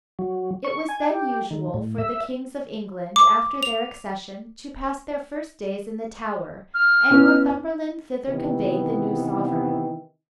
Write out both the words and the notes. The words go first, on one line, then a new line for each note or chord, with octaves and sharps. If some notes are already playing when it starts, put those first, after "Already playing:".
It was then usual for the kings of England, after their accession, to pass their first days in the Tower, and Northumberland thither conveyed the new sovereign.
F#3
C#6
G#5
G4
D#3
A2
E5
D6
F7
F6
B3 C#4 E4
C3 D#3 E3 B3